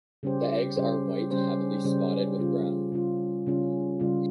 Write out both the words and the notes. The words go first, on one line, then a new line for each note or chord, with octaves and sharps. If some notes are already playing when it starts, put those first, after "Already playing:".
The eggs are white heavily spotted with brown.
C#3 G3 C#4 G4 C5
C#3 G3 C#4 G4 C5
C#3 G3 C#4 G4 C5
C#3 G3 C#4 G4 C5
C#3 G3 C#4 F4
C#3 G3 C#4 F4
C#3 G3 C#4 F4
C#3 G3 C#4 F4